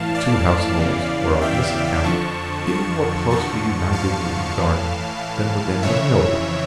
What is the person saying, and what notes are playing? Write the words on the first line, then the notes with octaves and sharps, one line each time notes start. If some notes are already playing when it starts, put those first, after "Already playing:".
The two households were on this account even more closely united in the garden than within the mill.
Already playing: A2 E3 F5 A5
D5 F5
E2 C#3 E3
E5 G5
F2 D3 F3 A5 C#6
A5 C#6
E2 D3 F3 A5 C#6
F5 A5
A2 E3
F2 C#3 E3 C#5 E5